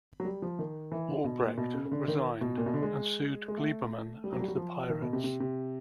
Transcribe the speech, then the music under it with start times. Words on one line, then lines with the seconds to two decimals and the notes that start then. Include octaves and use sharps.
Albrecht resigned and sued Glieberman and the Pirates.
0.20 F#3
0.25 G3
0.42 F3
0.59 D#3
0.92 E3
1.08 D3
1.24 B2
1.42 A#2
1.57 B2
1.74 C#3
1.85 C#3
1.92 D3
2.08 D#3
2.41 B2
2.58 A#2
2.66 B2
2.74 D3
2.82 G#3
3.48 G#3
3.57 A3
4.24 G3
4.33 F#3
4.40 G3
4.48 F#3
4.57 F3
4.90 D#3
5.02 B2
5.13 C3
5.24 C3
5.40 C3